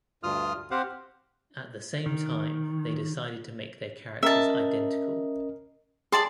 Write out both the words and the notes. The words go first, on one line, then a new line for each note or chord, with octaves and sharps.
At the same time they decided to make their characters identical.
D2 G2 F4 D#6 F6
C4 G4 C5 F5 F#5
D#3
C#4 A#4 D#5 E5 A5
G#4 D5 A5 C6